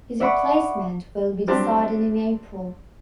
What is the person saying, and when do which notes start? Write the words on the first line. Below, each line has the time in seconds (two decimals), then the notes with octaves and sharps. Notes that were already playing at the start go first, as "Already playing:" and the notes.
His replacement will be decided in April.
0.20 D5 E5 F#5 B5 C#6 D6
1.47 F#3 G3 C4 D4 G4